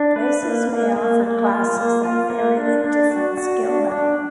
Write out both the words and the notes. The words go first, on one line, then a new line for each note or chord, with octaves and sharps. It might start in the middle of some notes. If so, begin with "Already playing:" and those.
Places may offer classes that vary in different skill level.
Already playing: D4
B4
A#3
A#3
A#3
A#3
F4
A#3
F4
A#3
D4
D4
F#4
F#4
D4
D4